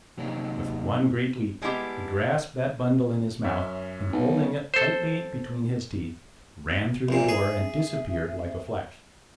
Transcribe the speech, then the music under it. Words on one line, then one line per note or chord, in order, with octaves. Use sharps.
With one great leap, he grasped that bundle in his mouth and, holding it lightly between his teeth, ran through the door and disappeared like a flash!
C3 F#3 A#3 D4 D#4
G3 G#3 B3 D4 E4 G4
F#2 C#4 E5
B1
A4 C5
A#1 A#2 E5
G#4